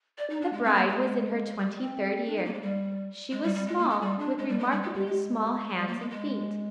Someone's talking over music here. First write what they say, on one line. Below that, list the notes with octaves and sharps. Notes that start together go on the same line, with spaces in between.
The bride was in her twenty-third year. She was small, with remarkably small hands and feet.
D5
D#4
D4
G#3
C4
A#3
G#3
G3
G#3
C4
D4
D#4
A#3
G#3
G3
G#3
G3
G3
G#3
A#3
G#3
G3
D4
G#3
G3
G#3
G3
G#3
G3
G#3
G3
A#3
G#3
G#3